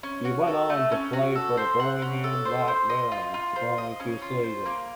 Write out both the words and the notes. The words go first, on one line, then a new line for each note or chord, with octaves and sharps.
He went on to play for the Birmingham Black Barons the following two seasons.
C#4
F#4
A4
A3
C#4
F#4
A4
C5
F#5
C#4
A4
C5
C5
D#5
F4
F4
C5
D#5
C#4
F4
C5
A#3